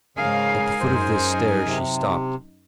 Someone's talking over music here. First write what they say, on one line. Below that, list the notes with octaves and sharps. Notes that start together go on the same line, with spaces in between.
At the foot of this stair she stopped.
G#2 C#3 G#4 A#4 F5 G#5
F#2 D#4 C5
C3